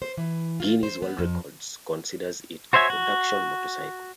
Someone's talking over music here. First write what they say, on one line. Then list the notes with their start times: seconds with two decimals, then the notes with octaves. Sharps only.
Guinness World Records considers it a production motorcycle.
0.02 C5
0.17 E3
0.60 F4
0.83 C5
1.02 B3
1.19 F2
2.73 F#4 C5 C#5 E5 G#5
2.90 F#4